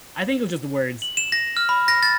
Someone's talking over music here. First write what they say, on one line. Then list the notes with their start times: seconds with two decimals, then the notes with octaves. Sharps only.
I think it was just the words.
1.02 F#7
1.17 E7
1.32 A#6
1.57 F6
1.69 B5
1.88 A#6
2.03 A6